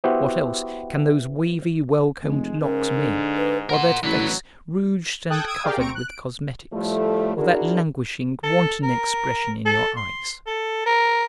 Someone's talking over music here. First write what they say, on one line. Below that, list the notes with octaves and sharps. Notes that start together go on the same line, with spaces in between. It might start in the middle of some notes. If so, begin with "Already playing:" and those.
What else can those wavy well-combed locks mean or that face, rouged and covered with cosmetics, or that languishing, wanton expression in your eyes?
B3 E4 F#4 G4 C5
F1 G#3
G#2 C#3 A#4
D3
B4
A#4 F#5 C6
A1 D3 F#3 E4 B4
A4 G5 A5 D#6 F#6 G#6
D#6 E6 G#6 D7 D#7
G4 G#4 A#4 D5 F5 G5
D2 C4 A#5 C#6 D7
F#6
D7
A2 F3 G3 A3
D4 E4 F#4 G#4 A#4
A4
A#4
A4
C6
A4
A#4